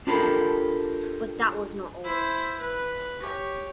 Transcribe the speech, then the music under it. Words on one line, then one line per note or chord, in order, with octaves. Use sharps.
But that was not all.
D4 F4 G4 A4 A#4 B5
E4 C5
B4
G4 C#5